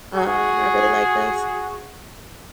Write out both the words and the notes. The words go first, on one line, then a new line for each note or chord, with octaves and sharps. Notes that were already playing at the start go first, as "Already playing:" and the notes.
um, I really like those.
F#4 G#4